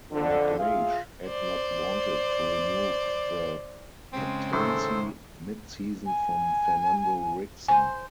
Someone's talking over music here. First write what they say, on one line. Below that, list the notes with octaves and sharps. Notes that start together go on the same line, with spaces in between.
McLeish had not wanted to remove the captaincy mid-season from Fernando Ricksen.
F2 D3
F4 G#4 E5 F5
C5 D5
C#3 G#3 C4
A2 D3 D#3 A4 C5 E6
G#5
C5 G#5